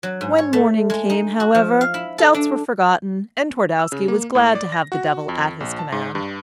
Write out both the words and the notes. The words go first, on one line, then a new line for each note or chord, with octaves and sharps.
When morning came, however, doubts were forgotten, and Twardowski was glad to have the devil at his command.
F#3
G#2
C#5
A3
G#3
D#4
F#4
F3
F5
E4
A4
D4
E6
C#3
A#3
A2
D5
A#6
F#4
F2
A#1
A5
G#2
G2